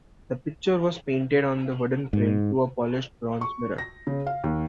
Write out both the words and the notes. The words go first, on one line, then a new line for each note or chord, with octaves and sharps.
The picture was painted on the wooden frame to a polished bronze mirror.
G#2
C#6
A#6
C#3
F5
D#2